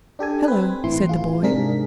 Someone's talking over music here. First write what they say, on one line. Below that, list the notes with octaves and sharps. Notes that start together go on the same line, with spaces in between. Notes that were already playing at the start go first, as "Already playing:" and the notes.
"Hello," said the boy.
D4 G4 A4 G#5
C4 B4
A1 E3 E4 C6
F4 G#4
G#2 C3 D4 G#4 A#4 B6